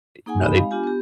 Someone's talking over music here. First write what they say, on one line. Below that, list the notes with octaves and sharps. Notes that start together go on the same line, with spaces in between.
e now they
A#3 D#4 G#4 F#5 G#5
C4 D#4 G4 D#5 B5
G#3 F5
B3 D4 F4 G4 G#5
B3 G4